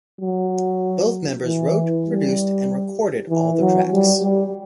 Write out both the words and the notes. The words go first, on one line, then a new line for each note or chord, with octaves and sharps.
Both members wrote, produced, and recorded all the tracks.
F#3
E3
G3
E3
F#3
G3
G3